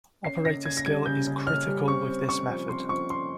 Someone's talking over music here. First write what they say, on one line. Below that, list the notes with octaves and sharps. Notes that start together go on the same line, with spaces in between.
Operator skill is critical with this method.
C#4 C7
C#3 A#6
C#3 G#6
A#6
G3 G#6
C#3 G6
C#3
C#4 F6
G3
C4 C#6
C4
C4 C#6
F3
C4 C6
F3 C#6
C4 C6